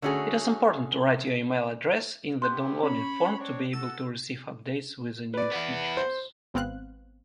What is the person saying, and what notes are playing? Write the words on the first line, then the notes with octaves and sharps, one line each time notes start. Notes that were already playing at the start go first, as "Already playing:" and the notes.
It is important to write your email address in the downloading form to be able to receives updates with the new features.
D3 A3 C#4 F#4 G#4
B3 E4 G4 C6 F#6 G6
C#4 C#5 B5
C4 D4 C#5
F#4 A4 E6
B4 D5
B3 E4
C5
G#1 B3 C4 F5 F#6